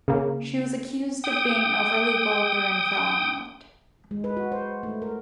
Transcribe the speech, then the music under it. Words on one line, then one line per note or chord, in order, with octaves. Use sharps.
She was accused of being overly vulgar and foul-mouthed.
C#3 A#3
G5 D#6
G#3
B4
F#4
C5
A3
A#4